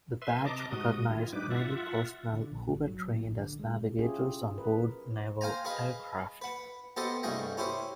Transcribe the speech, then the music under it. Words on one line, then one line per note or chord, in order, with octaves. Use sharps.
The badge recognized naval personnel who were trained as navigators on board naval aircraft.
B4 E5 C6
C3 D#5 A5 A#5 D6
G#2 F#4 D#6
D#3 E4 F4
G#2 F#3 D4 D#4 B4 D6
F4 E5 F#5
D3
A#1
G#1
F#3
A#2
A#1
D3
G#3
C#4 E4 F4 G4 G#4
A#4 B4
C5 F5 G5 G#5 A#5
G#4 B4 D#5 F5
B4 F#5
B3 G4 A4 C5 D#5 F#5
C2 G2 A3 G#4 D#5 G5
C#4 E4 G4 C5